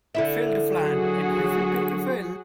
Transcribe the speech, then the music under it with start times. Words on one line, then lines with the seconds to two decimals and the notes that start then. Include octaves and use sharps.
Fail to plan, and you Prepare to fail.
0.15 D3 E4 E5
0.75 F#3 F#4 G#4